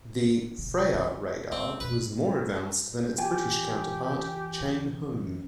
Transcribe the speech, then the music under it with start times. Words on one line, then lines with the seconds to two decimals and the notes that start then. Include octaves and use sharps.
The "Freya" radar was more advanced than its British counterpart, Chain Home.
0.58 E1 D3
0.94 D#3
1.52 G#3 C4
1.80 F2 B2 B4
3.18 E2 F4 G4 G5 G#5